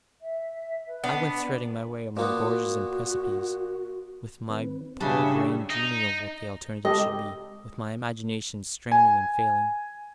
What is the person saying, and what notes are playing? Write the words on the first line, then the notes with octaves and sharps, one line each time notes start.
I went threading my way among gorges and precipices, with my poor brain dreaming of what the alternative should be, with my imagination straining and failing.
E5
B4
B3 D4
A#2 A#3 B3 F#4
D#3 C4 B4
G2 C#3 G3 D4 G4 E5 B5
D#4
G#3 G4 A4 D#5
G#5